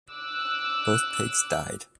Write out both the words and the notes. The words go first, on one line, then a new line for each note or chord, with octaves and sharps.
Both pigs died.
D6 E6 F#6